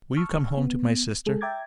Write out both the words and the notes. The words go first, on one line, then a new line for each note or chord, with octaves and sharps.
Will you come home to my sister?
A5 C#6 E6 F6
B3
G#3 G#4 A4
E5 G5 A#5 D6 G#6 A6